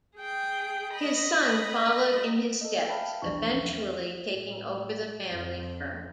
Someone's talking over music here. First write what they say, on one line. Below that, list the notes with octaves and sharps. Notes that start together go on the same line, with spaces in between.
His son followed in his steps, eventually taking over the family firm.
G#4 G5
D#5 B5
A4 D#5
B4 E5 F5 G5 A5 B5
B1 E2 E3 F3 D4 C#6
E2 E5
A2
F2